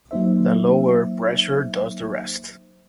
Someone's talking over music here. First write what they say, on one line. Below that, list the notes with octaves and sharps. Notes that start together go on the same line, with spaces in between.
The low air pressure does the rest.
F#3 A#3 D#4 C5 E5